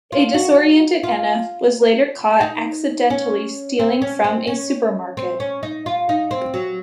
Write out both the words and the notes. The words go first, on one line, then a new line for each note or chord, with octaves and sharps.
A disoriented Ena was later caught accidentally stealing from a supermarket.
F4
F#4
F4
D#4
C#4
C4
C#4
C4
C#4
C4
C#4
D#4
F4
D#4
C4
F#3